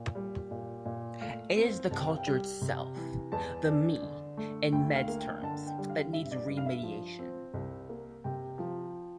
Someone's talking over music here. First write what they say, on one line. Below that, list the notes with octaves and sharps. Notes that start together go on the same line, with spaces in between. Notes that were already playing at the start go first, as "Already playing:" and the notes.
It is the cultured self, the "me", in Mead's terms, that needs re-mediation'.
Already playing: A#2
G3
A#2
A#2
A3 F5
C4
C2 A5
G5
F5
G5
G3
C3
E3
E2 A5
D4
D3
A3
D2 G5
F5
A#3
G5
D3 A5
G5
G3
F5
G2 E5
D5
G2 D5
F5
E5
F3
C4
C2
A#3
C3 G5
F3